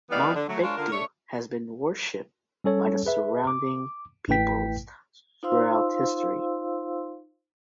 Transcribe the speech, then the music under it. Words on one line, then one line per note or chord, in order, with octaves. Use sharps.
Mount Baekdu has been worshipped by the surrounding peoples throughout history.
E3 G3 B3 D#4 D5 F5
D3
F#3 A3
G#3 D4 F4 A#4 C#5
D3 F4 A#4
A3 D4 C#5
G3 C#4 A4 C#5
G#4 B4 E5
D6
A1 A3 E4 B4 G5 B6
D#4 F4 C5 F5 C6 E6